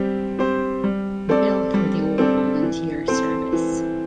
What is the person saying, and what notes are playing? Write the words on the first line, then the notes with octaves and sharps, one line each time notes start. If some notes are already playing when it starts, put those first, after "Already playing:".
Bill for the all-volunteer service.
Already playing: G3 C4 G4 C5
C4 G4 C5
G3
C4 A4 D5
G3
C4 A4 D5
E3
C4 A4 C5
E3